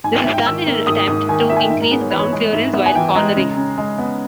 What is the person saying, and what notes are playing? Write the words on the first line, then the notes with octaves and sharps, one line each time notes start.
This was done in an attempt to increase ground clearance while cornering.
G#2 G#5
G5
G#2 E5
G5
D#3 E6
A#3
G#2 D#6
G#2 D#6
D#3 G#5
G5
A#3 E5
G#5
G5
G#2 E5
A#4
B3 G#4
C#5
E3 B4
C#5
G#3
G#2 E5
B3 E5
G#5
E3 G5
G#3 A#5
C#3
C#3
G#3
B3